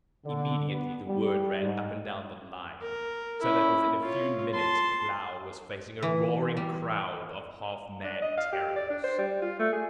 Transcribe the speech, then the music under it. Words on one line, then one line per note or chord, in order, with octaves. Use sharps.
Immediately the word ran up and down the line, so that within a few minutes Klow was facing a roaring crowd of half-mad terrors.
D3
B3
G3
G#2
A#4
C#4 E4
F4 C#5
A5 C6
E3
G3
D4
D#5
F5
G4
D5
D4
C5
G3
F4
A3
G#4